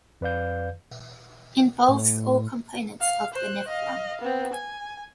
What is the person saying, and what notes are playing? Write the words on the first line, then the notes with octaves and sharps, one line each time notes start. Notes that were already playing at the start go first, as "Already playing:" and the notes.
Involves all components of the nephron.
F2 B4 D5 F5 G6
A2
F5
C5 F#6
D#5 F5
B3 C4
G#5